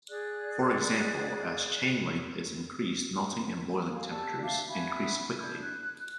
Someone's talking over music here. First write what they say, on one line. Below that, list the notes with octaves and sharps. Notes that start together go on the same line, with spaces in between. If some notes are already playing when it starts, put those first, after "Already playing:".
For example, as chain length is increased, melting and boiling temperatures increase quickly.
G#4 D5 F#6
F5 G#5
G4 D5 A5 E6
E5 F5 A5 D6
F#4 E5 G#5 B5
D4 G6 G#6
F#6